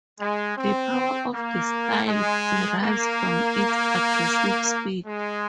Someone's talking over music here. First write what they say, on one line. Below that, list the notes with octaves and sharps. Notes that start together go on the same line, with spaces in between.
The power of the style derives from its aggressive speed.
G#3
C4
A#3
G#3
A#3
G#3